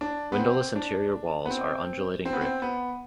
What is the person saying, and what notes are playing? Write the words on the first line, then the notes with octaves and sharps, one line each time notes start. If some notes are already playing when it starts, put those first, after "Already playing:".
Windowless interior walls are undulating brick.
D4
B3
C4
D4
B3
C4
C4
B3
C4
B3